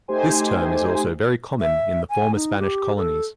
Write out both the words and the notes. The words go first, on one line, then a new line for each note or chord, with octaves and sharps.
This term is also very common in the former Spanish Colonies.
A3 D#4 G4 C5 G#5
E5
G#5
D#4
G4
A4